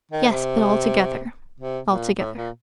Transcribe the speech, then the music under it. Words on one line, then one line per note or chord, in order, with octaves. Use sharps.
"Yes, but altogether; altogether."
D#3
C3
C3
A#2
A2
A#2